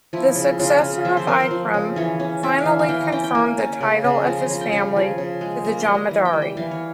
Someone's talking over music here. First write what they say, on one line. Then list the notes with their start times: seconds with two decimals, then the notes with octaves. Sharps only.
The successor of Ikram finally confirmed the title of his family to the Jamidari.
0.13 F3 E4
0.35 C#3
0.59 C#3 F4
0.81 C#3
1.05 F3 E5
1.17 C5
1.27 C4 A#4
1.40 C5
1.51 F3
1.74 C#3
1.96 E3 C#5
2.20 C#4
2.43 C#4 E5
2.58 F5
2.65 E3
2.79 F5
2.89 E3 G5
3.01 A#5
3.12 C#4 G5
3.24 G5
3.35 A#3
3.58 C#4
3.81 C#3
4.04 C#3
4.27 F3 A#5
4.39 C6
4.50 C#3 A#5
4.61 G5
4.72 C#3
4.96 F3
5.18 C#3
5.41 G#3
5.64 A#3 A#5
5.81 C6
5.88 G3
5.95 A#5
6.11 E3
6.25 G5
6.33 G3
6.42 G5
6.57 E3 F5
6.71 C#5